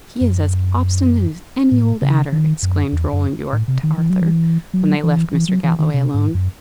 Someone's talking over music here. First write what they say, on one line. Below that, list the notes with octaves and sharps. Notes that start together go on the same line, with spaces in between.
"He is as obstinate as any old adder!" exclaimed Roland Yorke to Arthur, when they left Mr. Galloway alone.
F#2
A2
C#3
D#3
F#2
E2
F#2
A2
C3
D#3
E3
F#3
E3
F#3
E3
E3
F#3
E3
D#3
C3
G#2
F#2